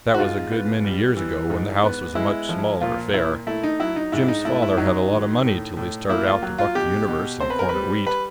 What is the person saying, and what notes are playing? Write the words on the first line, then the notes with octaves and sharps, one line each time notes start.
That was a good many years ago when the house was a much smaller affair. Jim's father had a lot of money till he started out to buck the universe and corner wheat.
F#4
G#2 F4
B3
G3
E3
G#2
B3
G#3 E4
F3
A#2 F4
A#2 E4
A3 E4
D#4
F#3 E4
D#4
G#2 E4
D#4
A3 E4
E4
F#3 D#4
D#3
A2
A2
A#3 E4
F4
F#3
F4
B2 G4
B2
C4 C5
B4
A#4
G3 B4
B4